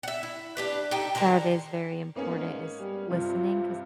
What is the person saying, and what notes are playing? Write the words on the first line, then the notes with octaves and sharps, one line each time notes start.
that is very important is listening 'cause,
E5 F#5
E4
D4 G4 B4
D#4 G4 A4 G5
D3 A#4 C5 A5
G#2 A#3 B3 C#4
G3
G2 C3 F4